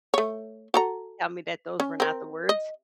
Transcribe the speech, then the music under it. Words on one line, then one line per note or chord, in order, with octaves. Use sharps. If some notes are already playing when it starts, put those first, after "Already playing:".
tell me that those were not the words.
A3 C#5
F#4 A4 A#5
C#4
C4 A#4
D#5